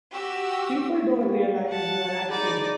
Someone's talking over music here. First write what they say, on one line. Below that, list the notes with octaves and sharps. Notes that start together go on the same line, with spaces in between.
People don't realize you're acting.
F#4 G4 E6
G4 F5
F#5 A5
D#4 G#4 D5 B5